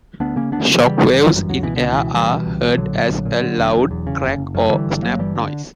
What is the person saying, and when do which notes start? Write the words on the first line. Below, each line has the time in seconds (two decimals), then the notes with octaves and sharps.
Shock waves in air are heard as a loud "crack" or "snap" noise.
0.20 D2 B3 D4
0.36 C#3 A#3 C#4
0.52 D2 B3 D4
0.63 A#3 C#4
0.68 C#3
0.74 E3 G3
0.85 C#3 E3 G3
1.01 G1
1.17 G1
1.33 F#2
1.48 C#2 F#3
1.63 B2 E3
1.76 C#2 D3
1.91 E3
1.97 B2
2.14 C#2 E3 G3
2.29 B2
2.46 C#2
2.62 B2
2.77 A#1 D3 F#3
2.93 A#2
3.10 A#1
3.25 A#2
3.41 D3
3.58 E1
3.75 E1
3.91 E2
4.07 C#3
4.22 F#1
4.38 F#1
4.55 F#2
4.70 D3 E3 G3
4.87 G1
5.03 G1 F#3 A#3
5.19 G2 E3 G3
5.35 D3